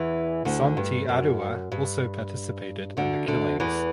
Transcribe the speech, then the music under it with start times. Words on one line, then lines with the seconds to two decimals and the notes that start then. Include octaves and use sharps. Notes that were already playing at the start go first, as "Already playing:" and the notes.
Some Te Arawa also participated in the killings.
Already playing: E2 E3
0.45 D2 D3
0.77 G2
1.09 F#2
1.72 G2
2.97 D2 D3
3.28 D2 D3
3.60 E2 E3